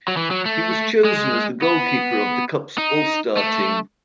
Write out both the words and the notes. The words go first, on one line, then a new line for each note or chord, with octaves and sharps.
He was chosen as the goalkeeper of the Cup's All-Star Team.
F#3
E3
F#3
A3
G#3
B3
D#4
A3